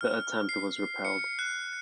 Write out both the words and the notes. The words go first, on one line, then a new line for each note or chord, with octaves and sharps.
The attempt was repelled.
F6
C7
C#7
F#6